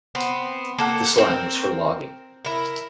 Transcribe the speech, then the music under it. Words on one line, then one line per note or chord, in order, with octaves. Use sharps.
This line was for logging.
B3 C4
A#3 A4 F#5
C4 A#4
E4 A#4